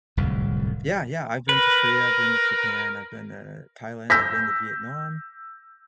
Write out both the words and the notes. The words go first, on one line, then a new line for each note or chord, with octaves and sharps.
Yeah, yeah, I've been to Korea, I've been to Japan, I've been to Thailand, I've been to Vietnam,
D1 C2 F2
A#4 B4
E6 G6 A#6 B6